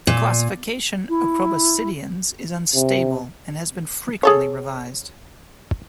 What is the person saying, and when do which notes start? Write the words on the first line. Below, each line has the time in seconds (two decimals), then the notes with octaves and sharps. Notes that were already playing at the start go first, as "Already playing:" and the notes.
The classification of proboscideans is unstable and has been frequently revised.
0.07 A#2
1.09 E4
2.75 C3
4.23 G#4 A4 C#5